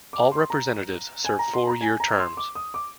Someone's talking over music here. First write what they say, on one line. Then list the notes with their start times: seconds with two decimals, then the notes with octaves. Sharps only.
All representatives serve four-year terms.
0.13 D6
0.32 C6
0.50 A#5
1.25 G#5
1.39 A#5
1.53 C6
1.67 A#5
1.81 G#5
2.00 A#5
2.18 C6
2.37 D6
2.55 D#6
2.74 D6